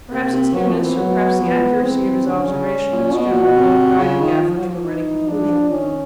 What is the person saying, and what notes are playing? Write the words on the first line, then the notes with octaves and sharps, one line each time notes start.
Perhaps its newness, or perhaps the accuracy of his observation of its general look, guided Gaffer to a ready conclusion.
C3 A#3
C3
F#3 C4
F3
E3
F#3 B3
F3 B3
E3
C4
D3 C#4
C#3
A#2
B2 F#4
A#2
B2
C3
C#3 F4
D#3
F3
F#3
F3
E3 D#4
E3
F3 D4
E3
F3
D#3 C#4